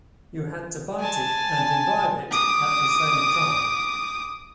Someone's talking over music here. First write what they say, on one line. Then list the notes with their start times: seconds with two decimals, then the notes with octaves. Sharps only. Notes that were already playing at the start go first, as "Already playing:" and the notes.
You had to bite it and imbibe it at the same time.
1.00 G#5 A5
2.31 D6 D#6